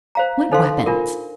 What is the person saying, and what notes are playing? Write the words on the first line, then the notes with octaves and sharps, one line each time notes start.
"What weapons?"
C5 F5 A#5
D#4 A4 C5 F5 C6
D4 F4 A#4